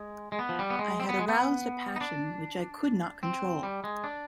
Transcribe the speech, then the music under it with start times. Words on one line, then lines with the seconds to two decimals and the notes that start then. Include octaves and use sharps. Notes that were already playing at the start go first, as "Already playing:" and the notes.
I had aroused a passion which I could not control.
Already playing: G#3
0.32 G#3
0.39 B3
0.49 F3
0.59 G3
0.70 B3
0.79 G#3
1.00 C4
1.09 B3
1.19 G#3
1.28 B3
1.96 D#4
2.01 D4
3.23 C4
3.63 G3
3.84 G#3
4.04 D4